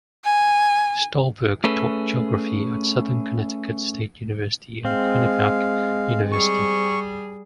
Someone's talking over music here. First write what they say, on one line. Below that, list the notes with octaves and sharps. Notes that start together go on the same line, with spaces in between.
Stolberg taught Geography at Southern Connecticut State University and Quinnipiac University.
G#5
A3 C#4 G#4 A4 B4
G#3 C4 F5
G3 G#4 C#6